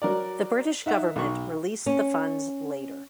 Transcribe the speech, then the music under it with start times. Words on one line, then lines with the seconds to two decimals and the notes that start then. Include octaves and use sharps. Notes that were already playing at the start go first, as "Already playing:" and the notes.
The British government released the funds later.
0.02 F#3 A#4 D5
0.86 D#4 E5 F#5
1.16 B1 C#6
1.86 C#4